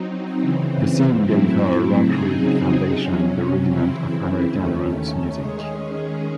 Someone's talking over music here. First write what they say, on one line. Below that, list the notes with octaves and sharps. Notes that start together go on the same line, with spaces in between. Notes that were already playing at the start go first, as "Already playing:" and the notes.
The scene gave her a rock-ribbed foundation in the rudiments of American roots music.
Already playing: F#3 C4 D#4
C#3 E3 C4
A2 F#3 C4 E4
C#3 F#3 C4 D#4 G#4
C3 F#3 C#4
C#3 E3 C4 E4
D#2 D#3 A3 C#4
D#3 G#3 C#4 G#4